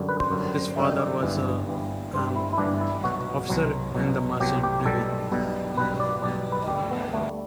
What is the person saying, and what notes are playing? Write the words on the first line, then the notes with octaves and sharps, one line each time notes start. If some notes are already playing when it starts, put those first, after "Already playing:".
His father was an officer in the Merchant Navy.
Already playing: F#2 D3 G3
B4
C5
F#2 D3 G3
F#2 D3 G3 E5
D5
G1 G2 E3 G3
G1 G2 E3 G3
G1 G2 E3 G3 C5
E4
E4
G1 G2 E3 G3 D4
E4
C2 B2 F#3 F#4
C2 B2 F#3
C2 B2 F#3
C2 B2 F#3 G4
G4
B1 B2 G3 A4
B1 B2 G3
B1 B2 G3 B4
D5
B1 B2 G3 D5
B4
D2 D3 G3 G4
B3
D2 D3 G3 A3